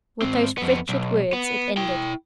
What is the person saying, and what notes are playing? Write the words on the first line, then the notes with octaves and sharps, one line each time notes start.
With those wretched words it ended.
G#2 C4
F2 B3
B1
B3
E4 G5